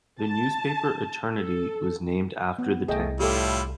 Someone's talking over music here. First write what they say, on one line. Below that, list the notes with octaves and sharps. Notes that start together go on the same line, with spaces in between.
The newspaper "Eternity" was named after the tag.
A5
A4
B3
C2 A3 G#4 D#5 G5
A2 G3 E4 F4 G4 A4